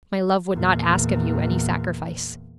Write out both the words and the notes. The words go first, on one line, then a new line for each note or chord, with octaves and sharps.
My love would not ask of you any sacrifice.
E2 A#2